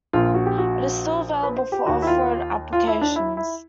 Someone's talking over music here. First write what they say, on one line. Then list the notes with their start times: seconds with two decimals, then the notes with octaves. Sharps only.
It is still available for off-road applications.
0.13 A#1 A#2 F4
0.34 F#4
0.46 G4
0.58 F#4
1.43 B4
1.57 C5
1.72 G4
1.86 D#2 D#3 F#4
2.02 E4
2.07 F4
2.73 F4
2.87 E4
3.01 D4
3.16 E4
3.37 E4